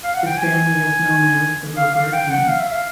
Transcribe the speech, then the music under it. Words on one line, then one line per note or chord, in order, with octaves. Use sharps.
His family is known as the Robertians.
F5
F#5
G5
G#5
F5
F5
G5
F#5
F5
E5
F5